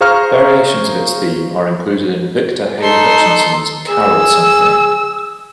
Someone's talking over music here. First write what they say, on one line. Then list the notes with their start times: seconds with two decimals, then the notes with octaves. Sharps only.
Variations of its theme are included in Victor Hely-Hutchinson's "Carol Symphony".
0.01 G#4 C5 F5 A#5 C#6 F6
2.82 D#4 A4 C6
3.89 G#4 E6